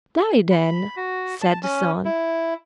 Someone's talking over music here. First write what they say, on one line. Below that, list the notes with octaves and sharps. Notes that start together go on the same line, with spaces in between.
'Die, then,' said the son.
B5
F#4
A5
C#4
E4